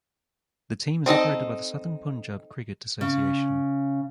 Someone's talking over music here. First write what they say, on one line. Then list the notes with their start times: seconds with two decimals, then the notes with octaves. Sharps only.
The team is operated by the Southern Punjab Cricket Association.
1.06 C4 D#4 A4 D#5
3.01 C#3